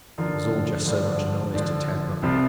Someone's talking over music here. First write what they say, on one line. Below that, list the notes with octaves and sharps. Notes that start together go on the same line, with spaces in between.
It was all just so much noise to Tad Butler.
D3 F3 D4 F4 A#4
G2 D3 F3 D4
D3 F3 D4
C2 C3 F3 C4 F4